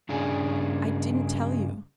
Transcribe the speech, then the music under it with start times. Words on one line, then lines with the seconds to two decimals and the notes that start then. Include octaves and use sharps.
I didn't tell you.
0.09 G2 C#3 D4 G#4